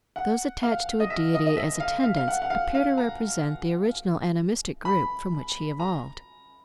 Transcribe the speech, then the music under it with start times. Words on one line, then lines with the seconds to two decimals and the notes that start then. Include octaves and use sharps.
Those attached to a deity as "attendants" appear to represent the original animistic group from which he evolved.
0.16 F#5
0.63 F5
1.00 D#5
1.10 E5
1.34 D#5
1.47 D#5
1.57 E5
1.80 F5
2.03 F5
2.16 F5
2.28 F#5
2.42 F#5
2.50 F5
2.75 F5
2.98 A#5
4.85 B5
5.80 A#5